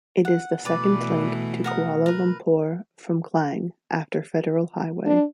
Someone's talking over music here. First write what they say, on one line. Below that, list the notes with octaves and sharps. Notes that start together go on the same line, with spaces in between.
It is the second link to Kuala Lumpur from Klang after Federal Highway.
F#5
B2 E3 A3 B4 D5
A#4 F#5 D#6
A#4 B4
D4